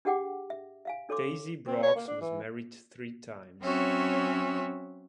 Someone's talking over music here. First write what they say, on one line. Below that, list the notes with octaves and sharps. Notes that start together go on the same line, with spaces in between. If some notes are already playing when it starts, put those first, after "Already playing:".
Daisy Breaux was married three times.
D4 G4 G#4 F#5 G5 D6
E5
E5 F5 G#5
D4 A4 C#5 C6 D6
C4
C#5
A#3
D4
E3
F#3 C4 C#4 F#4 C#5 E5